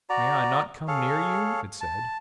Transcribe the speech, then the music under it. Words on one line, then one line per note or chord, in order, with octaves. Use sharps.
"May I not come near you?" it said.
F#4 D5 A#5
G#4 A4 C#5 F5
A5